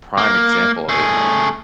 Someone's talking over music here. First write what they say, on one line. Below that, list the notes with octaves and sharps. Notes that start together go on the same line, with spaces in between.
prime example of it
A#3
A3 G#4